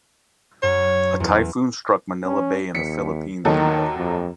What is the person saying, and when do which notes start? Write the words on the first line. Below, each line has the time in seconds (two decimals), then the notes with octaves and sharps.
A typhoon struck Manila Bay in the Philippines in May.
0.63 F#2 C#5
1.20 E2
2.26 C#4
2.75 D#2 B6 C#7
3.45 D#2 D#3 F#3 A4
3.97 F2